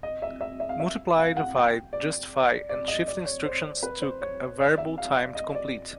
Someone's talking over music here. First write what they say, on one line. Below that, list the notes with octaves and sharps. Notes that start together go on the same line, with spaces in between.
Multiply, divide, justify and shift instructions took a variable time to complete.
D#5
E5
E5
E5
F5
E5
F5
F#5
G5
D5
D5
D#5
D5
C#5
C5
B4
C5
C#5
D5
E5
F5
D#5
D5